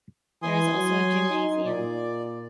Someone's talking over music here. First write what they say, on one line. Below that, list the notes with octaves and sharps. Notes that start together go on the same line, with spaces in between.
There is also a gymnasium.
E3 G#5 C6 D#6
F#3
D#4
A#2 D5